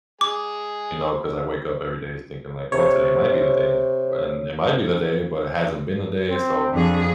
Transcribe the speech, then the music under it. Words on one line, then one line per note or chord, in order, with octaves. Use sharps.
you know, 'cause I wake up every day thinking like, "Oh, today might be the day, and it might be the day, but it hasn't been the day so,
G#3 G#4 D6
C3 C#5
C4
F2 D4 G#4